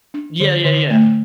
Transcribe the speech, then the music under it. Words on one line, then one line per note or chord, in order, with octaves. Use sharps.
Yeah, yeah, yeah.
D4
D3
D3
A3